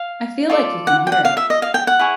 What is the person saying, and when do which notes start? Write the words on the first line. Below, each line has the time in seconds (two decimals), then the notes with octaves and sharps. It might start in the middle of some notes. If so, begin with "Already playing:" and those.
I feel like you can hear it.
Already playing: F5
0.50 F4 A4 D5
0.87 F#5
1.07 G5
1.12 F#5
1.25 F5
1.37 E5
1.50 D#5
1.62 F5
1.74 G5
1.87 F#5
1.99 E4 G#4 C#5